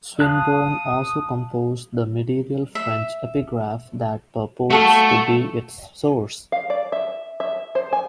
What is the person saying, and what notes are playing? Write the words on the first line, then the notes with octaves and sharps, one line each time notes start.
Swinburne also composed the medieval French epigraph that purports to be its source.
F5 A5 D#6 F#6
E5
A3 F#4 A4 F5
F5
D5
E5
E5
C5
G#5